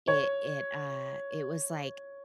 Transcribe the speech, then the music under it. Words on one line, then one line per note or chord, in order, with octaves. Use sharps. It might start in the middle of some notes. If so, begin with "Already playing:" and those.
it it, uh, it was like
C#5